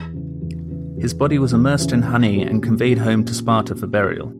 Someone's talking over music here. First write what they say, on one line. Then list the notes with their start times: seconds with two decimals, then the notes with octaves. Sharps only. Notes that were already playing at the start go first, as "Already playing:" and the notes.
His body was immersed in honey and conveyed home to Sparta for burial.
Already playing: E2
0.13 C#3 E3
0.41 E2
0.68 C#3 E3
0.97 E2
1.24 C#3 E3
1.52 E2
1.80 C#3 E3
2.07 A#2
2.35 F#3 C#4 G4
2.63 A#2
2.90 F#3 C#4 G4
3.19 A#2
3.45 F#3 C#4 G4
3.73 A#2
4.01 F#3 C#4 G4